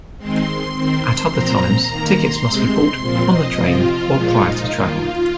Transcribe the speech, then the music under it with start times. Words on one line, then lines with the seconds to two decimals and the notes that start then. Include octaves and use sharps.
At other times, tickets must be bought on the train or prior to travel.
0.18 D#3 G#3 C4 C6
0.74 D#3 C4
1.30 A#2 F3 C4 A#5
1.87 D#3 A#3
2.15 C6
2.43 C3 G#3 C4
2.99 A#2 F3 C4 C6
3.27 D#5
3.55 C3 F3 C4 F4
4.11 A#2 F3 G#3
4.39 D#4
4.67 D#3 A#3 F4
4.96 F4